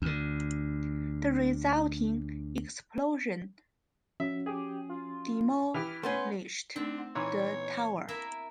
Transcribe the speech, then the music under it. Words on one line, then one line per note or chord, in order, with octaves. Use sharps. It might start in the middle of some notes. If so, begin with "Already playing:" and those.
The resulting explosion demolished the tower.
D2 D3
F3 C#4 F#4 E5
G4 G#4
F4
E3 G4 F6
A3 B3 C#4 C6
A3 C4 D4 D#4
F#5 C6
A#2 E3 D#4 C#5
B3
A#3 E4 A#4 E5